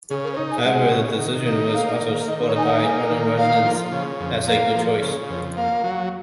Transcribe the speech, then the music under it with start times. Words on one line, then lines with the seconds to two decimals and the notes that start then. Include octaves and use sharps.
However, the decision was also supported by other residents as a good choice.
0.10 C#3 G#4
0.24 A#4
0.33 C5
0.37 D#4 C#5
0.51 G#5
0.64 G#3 F#5
0.91 C#3
1.19 D#3
1.46 D#4
1.74 A#3 F5
2.01 D#3
2.28 D#3 D#5
2.47 C#5
2.56 D#4 G#5
2.65 F#5
2.83 A#3 G#5
3.11 D#3
3.37 A#3 F5
3.65 F3
3.92 C#3
4.20 F2
4.47 A#3 F5
4.75 F3
5.02 C#3
5.30 F2
5.56 A#3 F5
5.84 F#3